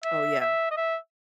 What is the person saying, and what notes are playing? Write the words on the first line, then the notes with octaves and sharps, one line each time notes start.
Oh, yeah.
E5
E5
D#5
E5